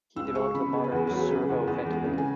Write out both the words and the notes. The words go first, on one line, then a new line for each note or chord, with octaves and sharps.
He developed the modern servo ventilator.
C#2 E6
G#3 C#6
C#3 B5
B3 G#4
B4
E2 G#4
F#3 B4
G#4
C#3 B4
G#4
E2
E2 B4
G#3
G#4
C#3
G#5